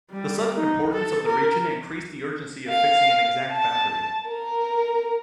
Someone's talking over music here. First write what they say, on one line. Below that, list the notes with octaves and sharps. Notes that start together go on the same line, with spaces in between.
The sudden importance of the region increased the urgency of fixing an exact boundary.
G3
D#4
A4
A#4
F5
A5
A#4